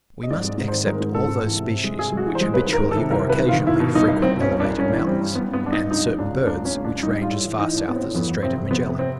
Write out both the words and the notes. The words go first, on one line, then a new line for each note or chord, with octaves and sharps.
We must except all those species, which habitually or occasionally frequent elevated mountains; and certain birds, which range as far south as the Strait of Magellan.
D#5
G#2 D5
G#3 D5
G#2
C5
D#3
G#3 A#4
G#2
G#2 A4
G#2
E3
C3
C3
G#3
C3 G#4
G#3 F#4
E3
C5
G#3
C2 B4
D#3 A#4
D#3
A4
C3
C2 A#4
C3
B4
D#3
F4
D#3
B2 E4
B2
C2 D#4
C2
C2 C4
B2 C#4
C2
D4
C2
G2 C#4
E3
G3 C4
G2
G3 B3
G2
B3
G2 D4
D#4
G2
C#2 D#4
F#3
C#2 D4
F#3
C#2 D4
C#2 C#4
C#2
D4
C#2
G3 D#4
G3
F4
A2 E4
E3
E3 D#4
A2 D4
A2 B3
C4
A2
F2 B3
F2
C3 C4
C3
F2 B3
C3
C4